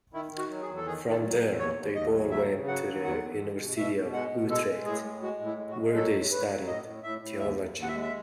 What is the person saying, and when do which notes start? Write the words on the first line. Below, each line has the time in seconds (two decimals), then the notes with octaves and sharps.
From there, they both went to the University of Utrecht where they studied theology.
0.13 D#3 E4
0.32 D#3
0.38 F#4
0.50 F#3
0.62 G#4
0.68 E2
0.76 A4
0.86 D#3 G#4
1.04 D#3
1.10 A4
1.23 F#3
1.35 B4
1.41 E2
1.59 D#2 C#5
1.77 D#2
1.95 D#2 D#5
2.13 F#3
2.31 C#3 E5
2.50 C#3
2.68 F#3 F#5
2.86 D#2
3.04 E2 F#5
3.22 E2
3.40 G#3
3.58 B2
3.77 B2 E5
3.95 B2
4.13 G#3 F#5
4.31 B2
4.50 G#3 A4
4.67 G#3
4.85 A2 G#4
5.04 G#3
5.22 G#3 F#4
5.40 A2
5.46 E4
5.58 G#3
5.70 F#4
5.77 G#3
5.95 F#3 A4
6.12 A2
6.31 A2 B4
6.49 F#3
6.67 A2 D#5
6.85 A2
7.03 A2 E5
7.21 A2
7.40 D#2 E5
7.58 D#2
7.76 D#2
7.82 F#5
7.88 E5
7.94 G#3
8.02 E5